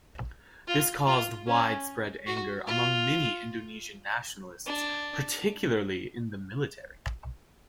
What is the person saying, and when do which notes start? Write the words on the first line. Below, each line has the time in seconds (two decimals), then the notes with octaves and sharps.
This caused widespread anger among many Indonesian nationalists, particularly in the military.
0.68 F4
1.07 F4
1.47 C#4
2.27 F#4
2.67 F4
4.67 D4